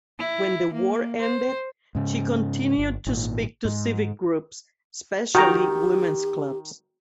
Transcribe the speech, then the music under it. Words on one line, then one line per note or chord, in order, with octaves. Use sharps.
When the war ended, she continued to speak to civic groups, especially women's clubs.
E4
A#3
C5
G#2 C#3
G1
G#1 A#2
G#2
D#3 F#4 G4 G5 A#5